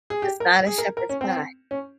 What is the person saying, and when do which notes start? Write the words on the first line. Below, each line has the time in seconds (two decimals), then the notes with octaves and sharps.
It's not a shepherd's pie.
0.10 G#4
0.22 G4
0.40 A#4
0.67 G#4
0.78 A#4
0.97 A#4
1.09 C#4
1.21 C4
1.71 C#4